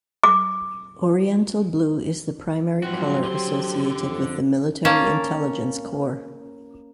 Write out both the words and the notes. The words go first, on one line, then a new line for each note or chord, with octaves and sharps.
Oriental blue is the primary color associated with the Military Intelligence Corps.
D6
G#2 F3 F#3 C4 F#4
D3 G4 C6
F2
A#3 C#4 A5